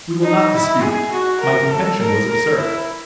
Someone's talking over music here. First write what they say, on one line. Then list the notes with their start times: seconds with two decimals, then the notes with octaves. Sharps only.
We will not dispute it; my contention was absurd.
0.22 D#4
0.52 E4
0.81 G#4
1.11 F#4
1.40 A#4
1.69 A4
1.99 A#4
2.29 A#4
2.57 E4